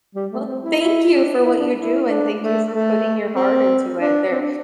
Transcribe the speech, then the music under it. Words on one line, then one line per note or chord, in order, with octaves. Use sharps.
Well, thank you for what you do, and thank you for putting your heart into it. There
G3
A3
C4
E4
E4
D4
E4
D4
E4
D4
A3
A3
C4
D4
C4
D4